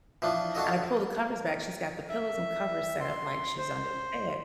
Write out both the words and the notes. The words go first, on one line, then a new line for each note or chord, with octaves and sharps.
And I pulled the covers back, she's got the pillows and covers set up like she's under the bed.
E3 F3 D4
D4 F#4 A4 D#5
E5
C6
C5